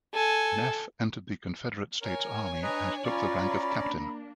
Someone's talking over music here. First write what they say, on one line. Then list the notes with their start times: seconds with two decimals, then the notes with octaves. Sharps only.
Neff entered the Confederate States Army and took the rank of captain.
0.14 A4 G#5
2.01 A#4 C#5 G#5
2.63 D4 B4 D#5 A#5
3.04 C#4 F4 D5 A#5 B5
3.77 A#3 D4